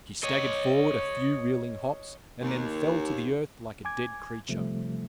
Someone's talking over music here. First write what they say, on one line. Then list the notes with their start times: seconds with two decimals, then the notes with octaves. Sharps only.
She staggered forward a few reeling hops, and then fell to the earth like a dead creature.
0.24 C#5 D#5
2.41 D#2
3.85 G#5 D6 G#6
4.49 C3 F3 G3 A3